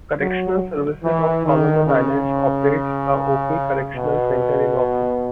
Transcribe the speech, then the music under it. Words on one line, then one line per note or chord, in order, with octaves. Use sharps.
Correctional Services of Solomon Islands operates the Auki Correctional Centre in Auki.
F#3
E3
D#3
C#3
B2